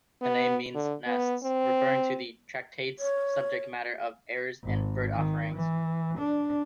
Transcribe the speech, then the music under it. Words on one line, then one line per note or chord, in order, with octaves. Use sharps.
The name means "nests", referring to the tractate's subject matter of errors in bird-offerings.
B3
D3
B3
C4
C#5
G#1
D#3
E3
D4